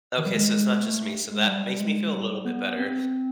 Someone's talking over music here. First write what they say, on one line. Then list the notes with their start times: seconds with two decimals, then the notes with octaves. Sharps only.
Okay. So it's not just me. So that makes me feel a little bit better.
0.17 D#3
0.26 G3
0.33 G#3
0.83 A3
1.31 G#3
1.47 G3
1.64 G3
1.80 G#3
2.12 G3
2.45 B3
2.78 C4